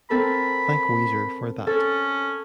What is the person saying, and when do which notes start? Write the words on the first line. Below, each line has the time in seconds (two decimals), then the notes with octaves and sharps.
Thank Weezer for that.
0.10 C4 A4 A#4 B5
1.67 C#4 A4